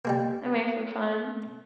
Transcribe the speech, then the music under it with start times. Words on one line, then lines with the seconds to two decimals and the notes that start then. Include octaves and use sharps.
I might for fun,
0.05 G3 G#3 A#3